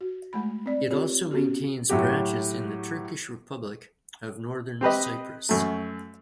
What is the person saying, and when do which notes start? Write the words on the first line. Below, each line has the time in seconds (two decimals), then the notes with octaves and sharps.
It also maintains branches in the Turkish Republic of Northern Cyprus.
0.01 F#4
0.33 G#3 A3 B5
0.66 C4 D5
0.91 C4 F4 G4 C#5
1.31 B3 C#4 F#4 G4
1.89 A2 F#3 F#4 G4
4.81 C4 G4 B4 D#5
5.49 F#2 A3